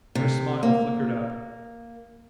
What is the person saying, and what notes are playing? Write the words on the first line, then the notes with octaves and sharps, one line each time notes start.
Her smile flickered up.
C3
A#3